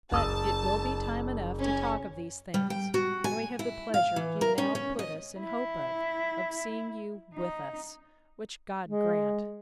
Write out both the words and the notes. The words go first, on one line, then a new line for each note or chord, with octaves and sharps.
But it will be time enough to talk of these things, when we have the pleasure you now put us in hope of, of seeing you with us; which God grant.
F#1 A5 D#6 E6
C#4
G3
G5
F#4
G#5
E4
F5
E3
A#4
C#4
C#4
D#5
E4
D#4
G#3